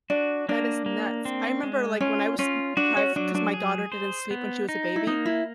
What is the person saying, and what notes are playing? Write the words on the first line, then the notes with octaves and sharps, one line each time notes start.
That is nuts. I remember, like, when I was sleep-deprived, 'cause my daughter didn't sleep when she was a baby
D4 F#4
A#3 D4
A#3
C4
G#3
C#4 F4
C#4 F4
D4 F#4
C#4
F#3 D4
D4
G#4
C5
B3
D#4
E4
A#3 D#4
E4